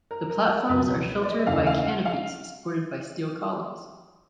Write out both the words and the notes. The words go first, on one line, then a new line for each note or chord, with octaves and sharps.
The platforms are sheltered by canopies supported by steel columns.
A#4
A#4
C#2 B2 F#3 B4
D5
D#5
E5
D#2 C#3 E3 A3 F5
F5
F#5
F5